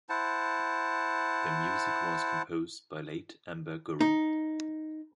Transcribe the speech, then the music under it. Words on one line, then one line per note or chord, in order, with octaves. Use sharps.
The music was composed by late Amber Gurung.
E4 C5 F#5 A5
D#4